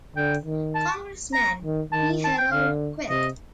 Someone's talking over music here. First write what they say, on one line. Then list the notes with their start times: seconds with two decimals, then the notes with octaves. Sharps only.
Congressman E. Harold Cluett.
0.16 D3 G5
0.45 D#3
0.75 A5
1.33 A#5
1.62 D#3
1.92 D#3 A5
2.25 A5
2.38 G5
2.51 D3 F5
3.09 C3 D#5